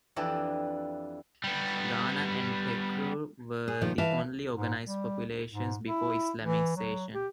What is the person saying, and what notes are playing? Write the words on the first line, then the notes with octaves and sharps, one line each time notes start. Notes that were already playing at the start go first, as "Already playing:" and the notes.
Ghana and Tekrur were the only organized populations before Islamization.
F2 E3 D4 E4 G4
G3 B3
G#4
A#2 D#3 F3
E3 E5 F5 A5
G#2
G3
G#2
E4
E3
F#3
G4